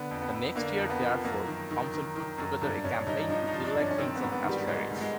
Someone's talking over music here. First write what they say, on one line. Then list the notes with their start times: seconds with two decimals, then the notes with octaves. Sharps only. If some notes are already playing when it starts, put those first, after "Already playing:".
The next year, therefore, Thompson put together a campaign to elect himself as Sheriff.
Already playing: D3 B3
0.11 F2
0.22 B3
0.34 F2
0.56 D3 A#3
0.78 F2
0.90 B3
1.01 F3
1.25 F#2 A#3
1.47 D#3
1.71 D#3
1.94 D#3
2.16 D#3
2.38 F#2
2.62 G2
2.84 G2 C#4
3.07 G2 D#4
3.29 F3 D#4
3.47 D#4
3.53 F3
3.64 D4
3.75 G2
3.81 C#4
3.91 C#4
3.98 D#3 C4
4.15 B3
4.21 G#2
4.32 B3
4.43 D#3
4.49 G3
4.67 G#2 G#3
4.90 G#2
5.01 G#3